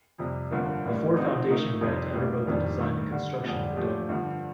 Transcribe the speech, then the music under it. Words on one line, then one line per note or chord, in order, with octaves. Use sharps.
A Ford Foundation grant underwrote the design and construction of the dome.
F2 C3 G3
G1 G2 D3 F3 A#3
A1 A2 G3 A#3
D3 F3 C4 D#4
A#2 A3 D#4 A#4
F2 C3 G3 C4 D#4
A2 G3 A#3 D4
F1 F2 D#3 G3 D4
G2 D#3 A3
D3 G3 D4
G1 F2 D3 G3 D4
A#2 F3 A3 D4 G4
G2 D3 F3